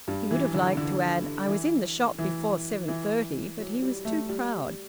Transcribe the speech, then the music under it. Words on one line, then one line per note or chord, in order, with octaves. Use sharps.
He would have liked to add: "I was in the shop before seven-thirty," but he was too proud.
G2
E3
D3
D3
E3
E3
E3
F#3
G3
A3
G3